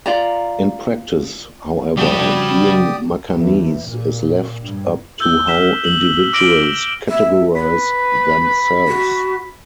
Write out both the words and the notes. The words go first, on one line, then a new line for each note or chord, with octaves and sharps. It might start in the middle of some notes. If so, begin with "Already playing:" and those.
In practice, however, being Macanese is left up to how individuals categorize themselves.
F4 D5 A#5
F2 C#3 G3 F#4 G4 D5 A5 D#6
E2
A#2
G2
E6 G6 G7
F6 B6 E7 G7
F#7
D6 F6 A#6 D7 F#7 G7
E5
B4 B5
F#4